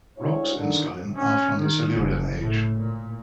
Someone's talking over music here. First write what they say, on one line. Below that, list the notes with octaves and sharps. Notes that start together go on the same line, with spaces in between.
Rocks in Scullin are from the Silurian age.
D2 G#2 E4 C#5
D3 D#3
C#4
D#3
F#1
A2
A#2